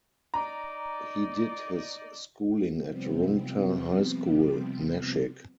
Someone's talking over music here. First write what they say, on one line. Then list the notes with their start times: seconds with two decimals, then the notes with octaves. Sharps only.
He did his schooling at Rungta High School, Nashik.
0.34 D#4 D5 A#5
2.87 C3 F3 G3 B3 C4